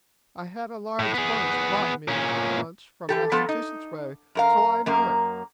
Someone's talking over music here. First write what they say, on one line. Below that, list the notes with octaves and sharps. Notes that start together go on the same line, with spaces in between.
I had a large bunch brought me once from Massachusetts way, so I know it.
A2
B3 G#4
A#2 C#4
E3 G4 A4
F3 B3 A4
D#4
F#2 A#4 F5
F#2 A#3 A#4